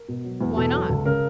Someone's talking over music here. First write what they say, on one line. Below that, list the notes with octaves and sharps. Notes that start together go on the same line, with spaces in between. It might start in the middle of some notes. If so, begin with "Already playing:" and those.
"Why not?"
Already playing: A#4
B2
F#3
E2
B2 A4
F#3
C#2
C#3 A#4